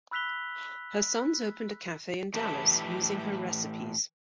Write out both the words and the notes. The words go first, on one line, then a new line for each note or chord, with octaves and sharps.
Her sons opened a cafe in Dallas using her recipes.
B5 E6 F#6 B6 F7 G7
A2 E3 G4 B4 E5 A5